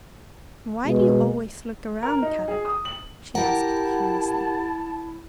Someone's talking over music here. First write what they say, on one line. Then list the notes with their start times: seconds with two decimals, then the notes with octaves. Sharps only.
"Why do you always look around, Kadok," she asked curiously.
0.85 B2 G#3
2.03 A#4
2.22 D#4
2.48 G#4
2.65 D#6
2.85 F#7
3.35 E4 G4 A#4 F#5 A5